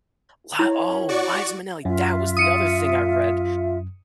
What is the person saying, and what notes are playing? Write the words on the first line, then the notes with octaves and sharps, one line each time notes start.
wha oh, Liza Minnelli, that was the other thing I read,
E4 C#5
F#4 D5 C#6
F#2 F4 E5
D#6 C#7 D#7